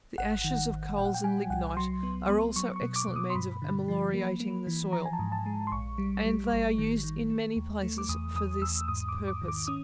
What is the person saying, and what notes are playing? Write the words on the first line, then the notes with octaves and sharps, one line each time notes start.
The ashes of coals and lignite are also excellent means of ameliorating the soil, and they are used in many places for this purpose.
G#1 F#5
D#3
G#1
A#2 G5
F#5
G5
G3 G#5
C2 F#5
F#3 C6
B3
B3
F#3 C#6
C#6
B2
D6
B2
D#6
C6
G2 B5
D3
F3
A#3
A#3
E3
F3 A#5
G#5
A5
G#2
A5
G#3
C6
A#1 C#6
G3
G3
G#1
D#3
D#3
A3
D#2
A3
D6
E2 D#6
E2 D#6
E2 E6
G#2 D#6
D6
G#2
D6
D#3
D6
C#4 D#6